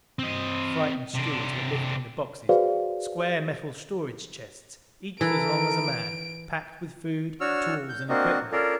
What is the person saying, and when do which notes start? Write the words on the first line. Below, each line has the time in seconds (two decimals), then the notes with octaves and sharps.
The frightened stewards were lifting the boxes, square metal storage chests each as long as a man, packed with food, tools, and equipment.
0.19 C4 D#5
1.15 C3 D4
2.49 F#4 G#4 B4 C5 D5 F5
5.21 E3 E4 A4 A#4 D7
7.41 D4 F#4 C#5 E6 F6
7.89 G6
8.09 A#3 C4 D4 F#4 D#5
8.52 C#4 F4 A4 A#4 D5